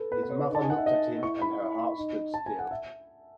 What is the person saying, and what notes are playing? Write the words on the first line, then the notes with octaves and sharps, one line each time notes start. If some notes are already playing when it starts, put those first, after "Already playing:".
His mother looked at him, and her heart stood still.
Already playing: A4 B4
B3 B4
B4
C#5
D#4
A5
G#5
F#5
E5
D#5
E4 C#6
B5
E4
D#4
A5
G#5
F#5
E5